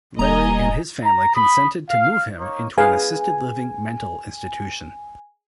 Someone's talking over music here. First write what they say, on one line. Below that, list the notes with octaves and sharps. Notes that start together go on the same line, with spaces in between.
Larry and his family consented to move him into an assisted-living mental institution.
E1 G3 A#3 D#5 G#5 A#5
A#5
B5 D#6
F5
A#3 D#4 A#4 C#5
G#4 B4 F5 G#5